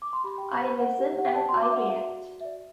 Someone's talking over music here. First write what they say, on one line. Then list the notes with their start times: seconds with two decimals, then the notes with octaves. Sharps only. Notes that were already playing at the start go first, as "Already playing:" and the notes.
I listen and I react.
0.02 D6
0.13 C6
0.24 G4 B5
0.38 G5
0.43 G4
0.52 B5
0.61 C5
0.80 C5 F#5
0.99 G4
1.17 G4 F#5
1.27 G5
1.35 D5 A5
1.49 C6
1.53 F#4
1.63 D6
1.71 B4 E5
1.76 F#5
1.90 F#4 E5
2.09 D5
2.27 F#4
2.41 E5
2.45 D5